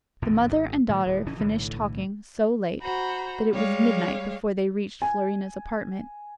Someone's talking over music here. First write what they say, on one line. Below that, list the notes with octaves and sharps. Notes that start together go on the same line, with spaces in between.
The mother and daughter finished talking so late that it was midnight before they reached Florina's apartment.
A#1 E2 A2 D3
G#1
A2 D#3 F3
D1
F1 A2 E3 C#4
B1 A2 D3 E3
F#4 C5 A#5 B5
G3 G#3 C#5 F5
G#5